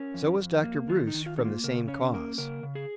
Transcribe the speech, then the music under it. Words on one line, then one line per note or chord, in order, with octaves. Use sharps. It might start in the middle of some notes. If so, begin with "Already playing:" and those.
So was Dr. Bruce from the same cause.
Already playing: C#4 A#4
F2
F2
A#3
D#3 F4
D#4
D#3
F4
A#3 D#4
F4
C#3 A#4
C#4 C#5
A#3 A#4
C#3 A#4
C#3
G#4